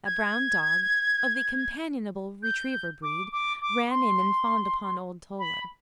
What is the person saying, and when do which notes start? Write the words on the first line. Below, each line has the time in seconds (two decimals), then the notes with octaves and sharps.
A brown dog, of the companionable retriever breed, ran in and fawned upon old Toller.
0.06 G#6
2.43 G6
3.03 D6
3.32 D6
3.61 D6
3.91 C6
5.39 B5